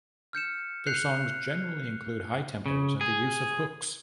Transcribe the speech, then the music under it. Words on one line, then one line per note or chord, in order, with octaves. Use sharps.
Their songs generally include high tempos and the use of hooks.
F6 G6 C#7 E7
F#6 G6 C7 C#7 F7
C#3
G#4